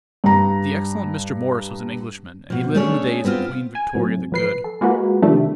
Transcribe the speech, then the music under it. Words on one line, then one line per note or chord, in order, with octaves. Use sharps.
The excellent Mr. Morris was an Englishman, and he lived in the days of Queen Victoria the Good.
G2 A#5
B2 F3
A3 C#4 D4 G#4 A4 C#5
B3 C4 D4 F4
G#5
A2 C3 F#3
F3 B4 C7
A4
G#3 A#3 F4 F#4 B4
C3 D#3 F3 G3 A3 D4